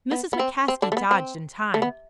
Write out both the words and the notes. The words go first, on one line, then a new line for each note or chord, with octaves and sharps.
Mrs. McCaskey dodged in time.
B3
B3
C4
C4
D3 D4
A3
B3
C4
A3
B3